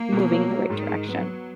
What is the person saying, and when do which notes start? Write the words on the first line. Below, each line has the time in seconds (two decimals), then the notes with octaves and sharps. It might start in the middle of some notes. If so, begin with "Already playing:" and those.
moving in the right direction.
Already playing: A#3
0.12 B2
0.31 F#3
0.50 F#3
0.70 G#2 D#3
0.89 G#2
1.08 F#3 B3
1.27 B3